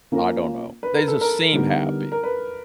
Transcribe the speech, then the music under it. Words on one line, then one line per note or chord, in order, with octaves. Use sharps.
I don't know, they just seem happy.
A#3 C#4 F4 A#4
B4
A#4
A4
A#4
D3 G3 B3 D#4 G4
A#4
B4